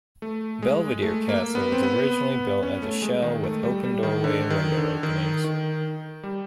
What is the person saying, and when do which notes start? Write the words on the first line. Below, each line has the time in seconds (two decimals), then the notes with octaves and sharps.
Belvedere Castle was originally built as a shell with open doorway and window openings.
0.22 A3
0.62 G#3
1.02 A3
1.29 A#3
1.55 B3
1.72 C4
1.83 B3
2.63 C#4
2.82 A3
3.02 G#3
3.22 D#3
3.44 A3
3.63 G3
3.84 G3
4.03 D#3
4.24 D3
4.50 D#3
4.77 D3
5.03 D#3
5.44 D#3
6.23 G3